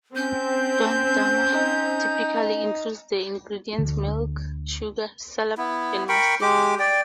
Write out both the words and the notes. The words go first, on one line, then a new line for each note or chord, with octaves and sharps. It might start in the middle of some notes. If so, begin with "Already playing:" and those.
Dondurma typically includes the ingredients milk, sugar, salep, and mastic.
C4 C#4 G6
D#4
D2 D3
B3 E4
A#4 G5 B5 C#6
G#3 G4 D6
D5 G5